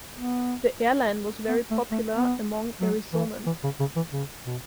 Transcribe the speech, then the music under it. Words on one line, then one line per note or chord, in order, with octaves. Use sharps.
The airline was very popular among Arizonans.
B3
B3
A3
A3
B3
F#3
E3
E3
C#3
C#3
E3
C#3
B2